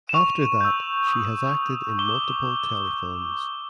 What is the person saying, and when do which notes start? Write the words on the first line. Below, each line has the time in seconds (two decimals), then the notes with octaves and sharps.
After that she has acted in multiple telefilms.
0.09 E7
0.14 C#6 F7
0.61 E6 G6
1.07 D#6
1.53 G6
1.99 D6 G7